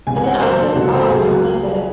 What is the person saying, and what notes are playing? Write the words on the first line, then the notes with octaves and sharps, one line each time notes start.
And then I took Oh, what was it?
C#2 C3 E3 G#5
G#5
F#5
D#2 C#3 F#3 C5
A4
C#2 C#3 E3 F#4
A4
C5
A4
C#2 C#3 F#3 G#4
F#4